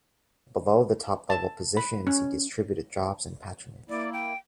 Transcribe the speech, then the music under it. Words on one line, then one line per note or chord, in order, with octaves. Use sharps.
Below the top-level positions, he distributed jobs as patronage.
A5
B5
C#4
A#3 E4 D5
G5